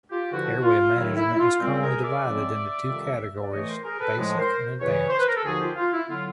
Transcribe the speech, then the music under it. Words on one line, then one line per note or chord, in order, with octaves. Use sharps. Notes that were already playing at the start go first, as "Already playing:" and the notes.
Airway management is commonly divided into two categories: basic and advanced.
F4 G4
G2 D3 F3 E4 F#4
F4
D#2 D#3 F#3 E4
E4
E4
F4
A#2 G3 C4
G#4 A#4
D5 E5
C#3 F3 G#3 C4
F2 C3 D#3 G3
D5
A2 E3 A3 C#5 D#5
A#4 C5
G#4 A#4
A4 B4
A2 F3 G#3
C#5
A#4 C5
E2 C#3 E3 B4 C#5
C5
B4
A#4
A4
D#2 D3 F3 F#4 G#4
F4 G4
F4
E4
D3 F#3 B3 E4 F4